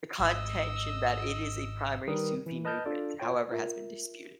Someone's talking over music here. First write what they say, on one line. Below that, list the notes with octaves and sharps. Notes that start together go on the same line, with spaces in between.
The contention that it is a primarily Sufi movement, however, has been disputed.
G#1 D#5 E6
D#3 G3 A#4 B4 D#6
E3
B4 D#5 A5 F6 G6
D4 F4 A4 D5
F4 C#5 G5
F4 A#4 E5